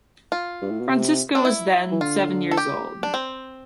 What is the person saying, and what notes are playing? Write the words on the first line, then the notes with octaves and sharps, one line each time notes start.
Francisco was then, seven years old.
F4
G2
A2
B2
C3
D4
E4
E3
D3 F4
A4
G4
D4
C4